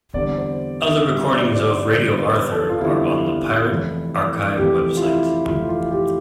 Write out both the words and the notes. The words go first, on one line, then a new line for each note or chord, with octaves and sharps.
Other recordings of Radio Arthur are on the Pirate Archive website.
E2 D3 G3 C4 D5
C5
E5
E2 D3 G3 C4 E5
D5
C5
D5
D5
E2 D3 G3 C4 C5
B4
A4
F4
E2 D3 G3 C4 E4
F1 F2 E3
F1 F2 E3 G4
F4
E4
F1 F2 E3 F4
F4
G4